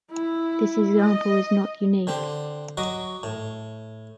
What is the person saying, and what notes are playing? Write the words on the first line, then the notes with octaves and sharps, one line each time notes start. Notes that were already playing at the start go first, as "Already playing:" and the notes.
This example is not unique.
E4
D#5
D3 C4 G4
F#3 F#4 D#5 D6
A2